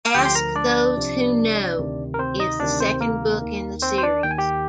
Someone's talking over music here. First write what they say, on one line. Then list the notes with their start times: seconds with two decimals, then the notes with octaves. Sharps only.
"Ask Those Who Know" is the second book in the series.
0.06 F5
0.15 D2 D3 F3 G4 G5
0.25 C6
0.35 A#4 A#5
0.56 D4 D5
0.96 C2 C3 F3
1.78 D2 C3 D#3
2.14 A#4
2.19 C4 C5
2.39 D#4 D#5
2.60 D2 C3 D#3 D4 D5
2.80 C4 C5
3.01 A#3 A#4
3.41 D#2 D#3
3.82 C4 C5
3.98 C5
4.03 D4 D5
4.23 D#2 D#3 G5
4.31 G#5
4.38 G4 G5